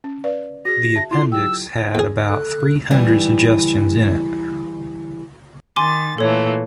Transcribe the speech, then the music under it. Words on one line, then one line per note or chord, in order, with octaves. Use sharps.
The appendix had about three hundred suggestions in it.
C#4
B4 D5 F5
F#4 G#4 A#6
E5 A5
E4 F4 A4 C6
F#3 G4 G5 E6
E2 G#4
A4 F#6
E3 G3
D#3 G#5 C6 D6 A6
A#2 E3 A3 A4 C#5